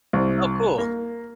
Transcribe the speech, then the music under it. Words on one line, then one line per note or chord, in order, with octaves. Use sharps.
Oh, cool.
C2
A#3